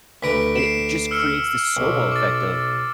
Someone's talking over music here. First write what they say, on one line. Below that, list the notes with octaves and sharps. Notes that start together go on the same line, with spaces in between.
and it just creates this snowball effect of
D2 B4 A#5 B6 D7
C7 D7 E7
E6 F6 C#7
B1
D6 A6